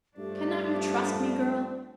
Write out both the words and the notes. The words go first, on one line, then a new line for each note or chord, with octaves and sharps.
Cannot you trust me, girl?
G2 F3 A3 D4 G4